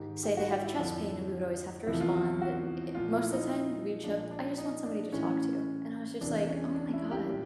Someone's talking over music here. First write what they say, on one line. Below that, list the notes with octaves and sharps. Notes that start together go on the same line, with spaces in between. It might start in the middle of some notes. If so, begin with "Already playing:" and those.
say they have chest pain, and we would always have to respond, and i i most the time, we would show up, "I just want somebody to talk to," and I was just like, "Oh my god."
Already playing: G#2 D#3 G4
G4
F#4
F#4
E4
F2 D3 F3
E2 C3 F3 E4
F4
F#4
F#4
A#2 F3 F4
E4
D#4
A#2 F3 D4
D4
D#4
D4
A2 E3 C#4
E2 C3 E3 D4
C#4
D4
E4
G4
A#2